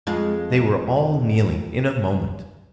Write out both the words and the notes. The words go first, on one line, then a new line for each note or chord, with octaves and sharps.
They were all kneeling, in a moment.
F2 G#3 F4